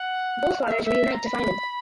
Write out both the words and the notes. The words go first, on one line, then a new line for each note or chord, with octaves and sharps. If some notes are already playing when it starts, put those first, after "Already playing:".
Both fathers reunite to find him.
Already playing: F#5
F5
E5
E5
A#5
B5